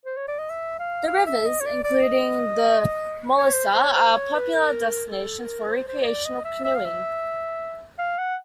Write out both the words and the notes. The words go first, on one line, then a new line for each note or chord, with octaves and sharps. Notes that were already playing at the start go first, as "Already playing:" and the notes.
The rivers, including the Mullica, are popular destinations for recreational canoeing.
C5
C#5
D5
D#5
E5
F5
F5
E5
D#5
C#5
D5
D5
D#5
C#5
C5
C5
C#5
C5
C#5
B4
A#4
A4
A#4
C5
C5
D#5
D5
D#5
E5
E5
F5
E5
F5
F#5